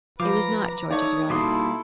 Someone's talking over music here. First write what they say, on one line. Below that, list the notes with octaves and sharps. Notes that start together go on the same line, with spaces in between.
It was not George's relic.
F3 F4 B4 A#5 D6
A3 D#4 C#5 D5 D#6
B2 G3 A#3 E4 A4 C6 D6 D#6